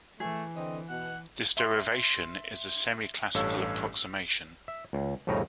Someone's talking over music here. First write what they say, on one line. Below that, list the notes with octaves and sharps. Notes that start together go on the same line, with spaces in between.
This derivation is a semi-classical approximation.
E3 A3 G#4
D3 C4 D#5
B2 F#5
E5 C6
A1 G2 A4 C#5 F5 E6
E5
C#2
C2 F2 A2 C#3 D#4 A#5